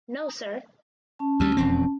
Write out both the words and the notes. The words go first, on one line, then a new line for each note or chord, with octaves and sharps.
No sir!
C#4 A5
D2 G3
E1 F2 C4